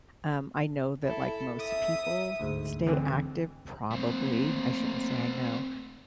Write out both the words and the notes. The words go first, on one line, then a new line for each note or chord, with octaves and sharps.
Um, I know that, like, most people stay active, probably, I shouldn't say I know,
E4 A4
E5 D#6
D2 G#2
D3 E3 C4
A3 A#3 C4